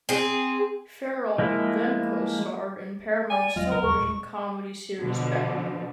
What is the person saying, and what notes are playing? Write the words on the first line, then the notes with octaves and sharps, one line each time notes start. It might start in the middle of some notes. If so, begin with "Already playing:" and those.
Farrell then co-starred on Paramount's television comedy series "Becker".
C4 G#4
F3 G#3 A#3 E4
D5 G#5
E1 F#3 G#3 F4 D#5
C#3 F#3 A#4
D#2 F#3 C#6
D#1 A#2
B2 D3 F3